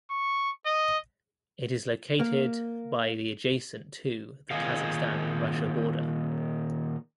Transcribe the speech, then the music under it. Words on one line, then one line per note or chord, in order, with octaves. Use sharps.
It is located by the adjacent to the Kazakhstan–Russia border.
C#6
D#5
A#3
A#2 D#3 G#4 D#5 F5